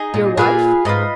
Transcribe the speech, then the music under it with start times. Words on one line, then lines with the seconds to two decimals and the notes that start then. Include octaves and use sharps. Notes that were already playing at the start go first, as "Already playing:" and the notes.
"Your wife?"
Already playing: D#4 G#4 D#5
0.14 A#2
0.37 A#2 G#4 B4 F5 G#5
0.85 G#2 F4 B4 D#5